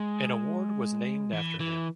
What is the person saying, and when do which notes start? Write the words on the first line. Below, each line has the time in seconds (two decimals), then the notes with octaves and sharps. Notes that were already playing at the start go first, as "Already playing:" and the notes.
An award was named after him.
Already playing: G#3
1.33 E3
1.60 E3